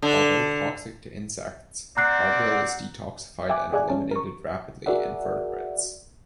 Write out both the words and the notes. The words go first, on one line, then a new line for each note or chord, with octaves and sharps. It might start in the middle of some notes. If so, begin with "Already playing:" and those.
Although toxic to insects, carbaryl is detoxified and eliminated rapidly in vertebrates.
D3
C4 D5 F#5 A#5 F#6 C7
E5 G5 G#5 D6 F#6
G4 G#4 D5 E5 F#5 G#5
F3 C#4 A5
A#4 C#6
F#4 G#4 A#4 D5 E5 F#5